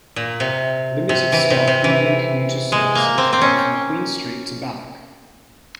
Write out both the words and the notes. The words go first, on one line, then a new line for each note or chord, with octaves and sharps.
Limited stop evening commuter services run from Queen Street to Balloch.
A#2
C3
C3
E3
C3
C3
E3
G#3
A#3
C4
C4
C#4